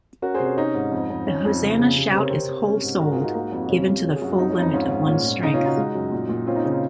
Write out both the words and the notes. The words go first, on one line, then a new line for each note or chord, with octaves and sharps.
The Hosanna Shout is whole-souled, given to the full limit of one's strength.
C#4 F#4 A#4
G#4 C5
C3
C#4
C#4 D#4
G#2
F2
F2
C#4
F2
C#3
C#3
C3
C3 C5
A#4 C#5
C4
C3
C#4
G#2
G#2 F#4 A#4
F4 G#4
G#2
D#4 F#4
A#3
F2
F#4
C3 C#4 F4
C3
C#4
G#4
F#2 F#4
F4
F2 D#4
C#4
F2
D#4
G#2 C#4 F4
G#2
A#2 C#4
A#2
C#3 D#4
C#4 F4
C#3
D#4 F#4
G#3
F#2
A#2
A#2
C4 C#4 F4
D#4
C#3 C#4
D#4